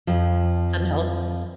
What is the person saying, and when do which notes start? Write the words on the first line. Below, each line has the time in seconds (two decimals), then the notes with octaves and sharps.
That's unhealthy.
0.07 F2 F3